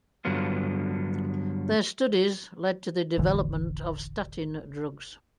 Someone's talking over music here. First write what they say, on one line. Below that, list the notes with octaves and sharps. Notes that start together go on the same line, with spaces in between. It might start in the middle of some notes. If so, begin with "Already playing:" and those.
Their studies led to the development of statin drugs.
G2 D3 F#3 B3 F4
E1 A1 D3 E3